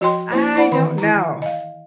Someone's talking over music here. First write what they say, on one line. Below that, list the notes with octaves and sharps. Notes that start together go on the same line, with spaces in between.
I don't know.
F3 F#4 C#5 D#5 G5 C6
A#3 E4 C5 C#5
E4 C5 D5 F#5 B5
D#3 E3 B4 B5
E4 A#5
D#5 F5